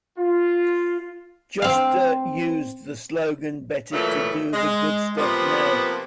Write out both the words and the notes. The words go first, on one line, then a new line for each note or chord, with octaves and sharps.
Josta used the slogan better do the good stuff now.
F4
C4 F5
A#2 C#3 E3 F#3 A3
G#3
C3 F3 A#3 B3 F4